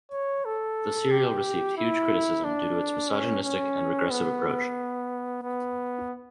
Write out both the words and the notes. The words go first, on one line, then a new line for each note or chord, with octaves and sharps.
The serial received huge criticism due to its misogynistic and regressive approach.
C#5
A4
G4
E4
D4
C#4
C#4
B3
B3